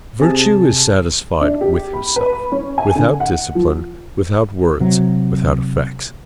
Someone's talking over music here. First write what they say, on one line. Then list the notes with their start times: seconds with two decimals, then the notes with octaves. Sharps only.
Virtue is satisfied with herself, without discipline, without words, without effects.
0.20 C3 G#4 A5
1.41 D4
1.61 G4
1.93 B5
2.16 B4
2.33 B5
2.52 C#4
2.78 G#5
2.95 D3
3.20 F#5
3.55 F3
4.80 C3 F#3